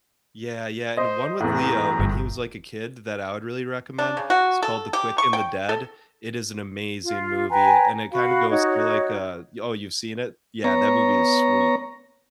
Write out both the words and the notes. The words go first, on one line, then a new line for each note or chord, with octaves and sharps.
Yeah, yeah. And one with Leo when he was, like, a kid th that I would really recommend, it's called The Quick and the Dead. It is an amazing movie a and it kinda goes through like, uh y oh, you've seen it? Yeah, that movie is sweet.
C5 D#5
E2 A2 A#5
G1
D4
C#3
F#4
A4
G4
C#6
G5
A4
F4
B4 G5 G#5 A#5
F#4 F5 B5
D#4 F#4 C#5
B3 C#5 A#5